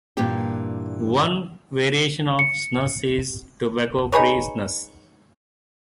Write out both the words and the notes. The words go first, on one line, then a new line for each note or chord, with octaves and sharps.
One variation of snus is tobacco-free snus.
G2 A#2 E3 A#3 G4 G5
C#7
D#4 G#4 B4 C#5